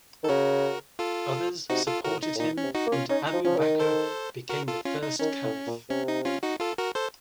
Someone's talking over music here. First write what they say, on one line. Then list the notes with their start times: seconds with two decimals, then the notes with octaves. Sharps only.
Others supported him, and Abu Bakr became the first caliph.
0.23 D#3 A4
0.29 C#3 F#4 A#4
0.99 F4 A4
1.70 C3 D#4 F#4
1.87 F4 A4
2.04 A2 F#4 A#4
2.23 D#4
2.35 A2
2.39 A#2 D#4
2.57 C#4
2.63 C3
2.75 D#4 F#4
2.86 A#3
2.92 C#4 F4
3.09 C#4 D#4
3.27 D#4
3.33 F3
3.45 F3 C#4
3.57 D#3
3.62 D#4
3.80 A4 C5
4.49 F#4 A#4
4.68 F4 A4
4.85 C#4 F4
5.03 D#4
5.19 D#3 C#4
5.44 A2
5.67 A#2
5.90 C3 C#4
6.08 D#4
6.25 C#4 F4
6.43 D#4 F#4
6.60 F4 A4
6.78 F#4 A#4
6.95 A4 C5